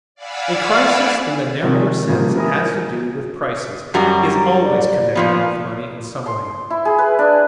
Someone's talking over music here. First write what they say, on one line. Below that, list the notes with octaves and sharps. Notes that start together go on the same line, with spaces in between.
A crisis in the narrower sense has to do with prices--is always connected with money in some way.
D5 F5 F#5 G#5 B5 E6
C3 D#3 F3 G#3
C#3 F3 G3 G#3 A#3
E4 A#4 G#5 D#6
F#2 G3 F#4 A#5
D5
A#2 F3 B3
C6
E4
G#4
B4
D4